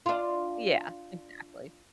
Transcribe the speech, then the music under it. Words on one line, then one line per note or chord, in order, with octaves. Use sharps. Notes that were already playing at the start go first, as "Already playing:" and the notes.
Yeah, exactly.
D4 F4